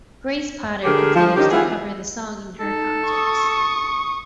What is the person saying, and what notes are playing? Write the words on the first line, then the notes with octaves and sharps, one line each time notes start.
Grace Potter continues to cover the song in her concerts.
D3 A3 G4 G#4 A#4
F3
D3 D#3 C#4 D#4 G4
E3 G#3 B3 E4 F4 G#4
D#4 A4
C#6 D#6